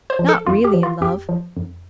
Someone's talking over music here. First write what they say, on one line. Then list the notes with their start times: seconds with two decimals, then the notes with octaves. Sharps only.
Not really in love.
0.10 C5
0.19 F3
0.29 A4
0.46 F2 F4
0.64 G4
0.74 F3
0.83 F4
1.01 F2 G4
1.29 F3
1.57 F2